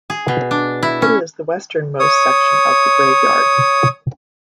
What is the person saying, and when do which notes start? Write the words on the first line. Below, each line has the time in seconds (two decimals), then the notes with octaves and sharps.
It is the western-most section of the graveyard.
0.10 G#4
0.28 B2
0.51 D4
0.83 E4
1.02 C#4
1.99 C#5 D#6